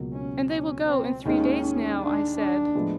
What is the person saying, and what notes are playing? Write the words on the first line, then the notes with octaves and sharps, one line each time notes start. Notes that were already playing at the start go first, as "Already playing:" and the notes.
"And they will go in three days now?" I said.
Already playing: C#2 B2 F#3 A#3
C#4
C#4
C4
D#2 D#3 G#3 C#4
D4
D4
A2 F3 G#3 B3